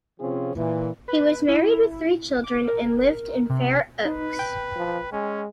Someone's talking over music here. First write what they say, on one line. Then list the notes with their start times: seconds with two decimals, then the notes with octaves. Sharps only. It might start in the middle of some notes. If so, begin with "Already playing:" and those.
He was married with three children, and lived in Fair Oaks.
0.19 C3 F3 C4 C#4 F4 G#4
0.55 A#2 E3
1.08 B4
1.48 E4
2.44 D6
2.67 A#4
3.49 C3
4.05 D#4 B4
4.39 G5
4.76 F3
5.12 G#3 C#4